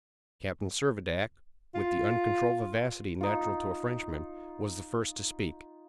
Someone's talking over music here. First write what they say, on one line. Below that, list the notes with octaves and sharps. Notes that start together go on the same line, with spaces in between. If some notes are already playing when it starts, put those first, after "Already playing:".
Captain Servadac, with the uncontrolled vivacity natural to a Frenchman, was the first to speak.
F4
D#4 F4